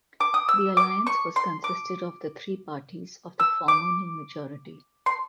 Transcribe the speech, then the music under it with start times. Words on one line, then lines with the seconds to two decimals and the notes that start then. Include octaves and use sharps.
The alliance was consisted of the three parties of the former New Majority.
0.20 D6
0.34 D#6
0.49 E6
0.77 D6
1.07 C#6
1.36 C6
1.64 D6
3.40 E6
3.68 D6
5.06 C6